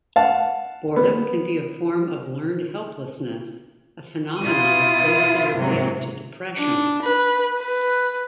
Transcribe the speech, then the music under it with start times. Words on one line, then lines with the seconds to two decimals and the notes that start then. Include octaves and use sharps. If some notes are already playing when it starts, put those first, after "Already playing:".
Boredom can be a form of learned helplessness, a phenomenon closely related to depression.
0.16 F5 F#5 A5
0.96 B3
4.42 B2 E4 F4 D#6
5.58 G#2 C3 F#3
6.57 D4
7.02 B4
7.60 B4